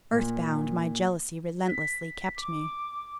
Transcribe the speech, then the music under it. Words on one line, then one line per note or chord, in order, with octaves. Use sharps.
"Earth-bound" my jealousy relentlessly kept me.
A#2
B6
D6